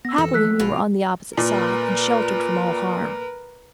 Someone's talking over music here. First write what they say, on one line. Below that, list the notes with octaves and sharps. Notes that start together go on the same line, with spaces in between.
Happily we were on the opposite side, and sheltered from all harm.
B3 E6 A#6
F2 E3 A4
F3 G#3 A#3 E6 F#6 B6
A#1 B2 F4
A#2 A#4 B4